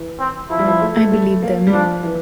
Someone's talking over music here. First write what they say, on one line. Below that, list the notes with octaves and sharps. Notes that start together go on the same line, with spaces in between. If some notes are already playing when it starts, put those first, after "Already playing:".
I believe them.
Already playing: E3
C4
F3 E4
G3
F3
A3
A3
A3
A#3
G3
F3 D4
E3